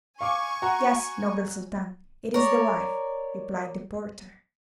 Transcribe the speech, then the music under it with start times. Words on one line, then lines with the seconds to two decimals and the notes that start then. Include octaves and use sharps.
'Yes, noble Sultan; it is the wife,' replied the porter.
0.21 F5 G#5 C#6 D6
0.62 F#4 A#5
2.34 A#4 C#5 D5